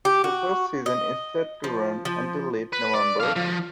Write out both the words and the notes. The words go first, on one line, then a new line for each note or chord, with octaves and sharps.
The first season is set to run until late November.
G4
F#4
D#5
F3
F3
B4
D5
A4 F5
F3